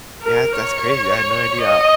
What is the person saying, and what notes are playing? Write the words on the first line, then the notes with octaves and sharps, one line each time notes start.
yeah, th that's crazy, I had no idea
A#4
C#5
D#5